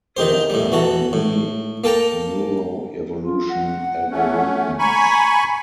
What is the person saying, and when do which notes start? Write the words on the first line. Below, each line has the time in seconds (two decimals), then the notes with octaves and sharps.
There are many neuroevolution algorithms.
0.17 D#3 D#4 G4 C5
0.50 A2 G3
0.72 E3 F#4 A4
1.13 A2
1.84 A#3 A4 G5 A5 A#5
3.22 F4
3.49 F#5
4.11 A3 C#4
4.79 G#5 A#5 B5 C#6